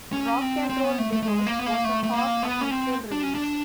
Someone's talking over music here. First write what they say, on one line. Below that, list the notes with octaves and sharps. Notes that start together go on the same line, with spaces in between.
"Rock and Roll Divorce" was a half-official release.
C#4
C4
C4
B3
A3
A3
A3
G#3
A#3
B3
A#3
A3
A3
A#3
B3
C#4
C4
D4
C#4
D4